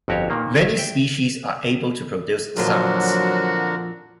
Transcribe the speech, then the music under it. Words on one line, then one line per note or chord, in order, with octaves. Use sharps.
Many species are able to produce sounds.
G1 F2 F#4 G4 C#5
A#2 D#3 A#3
G#1 E4 F5
E5 G5
F2 A#2 D3 F3 F#3 D4 F#4 A#4